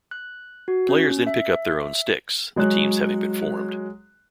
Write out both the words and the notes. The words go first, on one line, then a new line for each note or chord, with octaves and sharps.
Players then pick up their own sticks, the teams having been formed.
F#6
F#4
C#4
E5
F#3 G#3 C#5 F#6